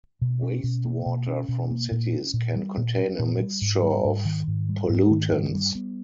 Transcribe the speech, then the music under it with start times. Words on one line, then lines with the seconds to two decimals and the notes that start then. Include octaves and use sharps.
Wastewater from cities can contain a mixture of pollutants.
0.22 B2
0.42 C#4
0.64 B2
0.85 A#3
1.06 B2
1.27 C#4
1.48 B2
1.71 A#3
1.91 A#2
2.12 C#4
2.34 A#2
2.56 G3
2.77 A#2
2.98 C#4
3.19 A#2
3.41 G3
3.61 G#2
3.83 G3
4.05 G#2
4.25 D#3
4.48 G#2
4.69 G3
4.89 G#2
5.11 D#3
5.32 G2
5.54 G3
5.75 B3